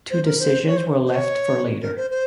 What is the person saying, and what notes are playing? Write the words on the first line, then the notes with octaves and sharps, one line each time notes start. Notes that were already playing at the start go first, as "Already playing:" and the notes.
Two decisions were left for later.
C5
A#4
C5
C#5
C5
C5
C#5
A#4
C5
C5